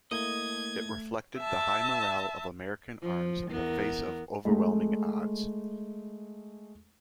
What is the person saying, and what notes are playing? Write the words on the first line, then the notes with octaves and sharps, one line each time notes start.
It reflected the high morale of American arms in the face of overwhelming odds.
A3 A#3 E4 A#4 D#5 G#6
E5 A5
F3
E2 B3 A#4
G#3 A3